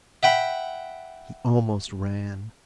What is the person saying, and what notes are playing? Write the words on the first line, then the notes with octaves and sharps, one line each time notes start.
He almost ran.
E5 F#5 G5 B5